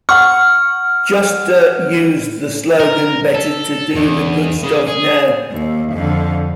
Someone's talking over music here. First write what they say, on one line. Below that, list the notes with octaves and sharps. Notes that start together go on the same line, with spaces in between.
Josta used the slogan better do the good stuff now.
F#5 C#6 F6
A#4
A4
E2
C#3
G#4
D#2
F2 D3